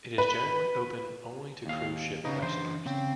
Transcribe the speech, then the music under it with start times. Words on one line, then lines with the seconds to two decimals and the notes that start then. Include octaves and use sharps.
It is generally open only to cruise ship passengers.
0.18 B4
1.66 D#2 F5
2.25 C#3 D#4 B4 D#5
2.42 E3 D4 C5
2.86 C#3 C4 G5